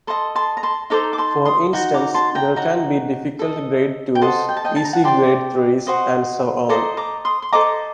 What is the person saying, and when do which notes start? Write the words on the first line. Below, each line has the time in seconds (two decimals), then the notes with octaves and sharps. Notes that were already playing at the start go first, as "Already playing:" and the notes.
For instance, there can be difficult grade twos, easy grade threes, and so on.
0.07 A4 D#5 A5 C6
0.35 A5 C6
0.57 A#5
0.63 A5 C6
0.90 D#4 A4 C5 A#5 D6
1.13 D6
1.18 A5 C6
1.45 C6 D#6
1.73 D#4 F#4
1.94 A#5 D6
2.14 A5 C6
2.35 G5 A#5
2.56 D#4 F#4 A#5
3.39 A4 D#5
4.15 G5
4.21 A4 C5 D#5 F#5 A5
4.49 G5
4.57 A5
4.65 D#5 G5
4.76 A5
4.85 A#5
4.93 F#5 A5
5.04 G4 D5 A5 C6
5.87 F#4 C5 D#5
6.69 A4 C5 D#5 A#5 D6
6.97 A#5 D6
7.25 C6 D#6
7.42 C6
7.52 A4 C5 D#5 A#5 D6